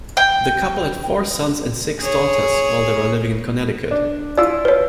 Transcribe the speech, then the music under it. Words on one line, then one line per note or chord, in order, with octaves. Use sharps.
The couple had four sons and six daughters while they were living in Connecticut.
G5
G#4 C#5
D4
E4 F4 D5 E6
B4 C#5